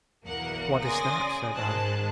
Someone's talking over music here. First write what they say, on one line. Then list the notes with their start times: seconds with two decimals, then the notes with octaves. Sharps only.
'What is that?' said I.
0.25 B1 E2 A#3 A#4 F#5
0.82 C#3 D5 G#5 C6 D#6 A#6
1.55 G#2 D#3 G#3 C5 A5 F#6